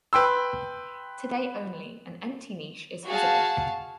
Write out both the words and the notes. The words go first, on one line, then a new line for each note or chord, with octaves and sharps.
Today only an empty niche is visible.
B4 G5 C6 E6
F#4 G#4 F5 A5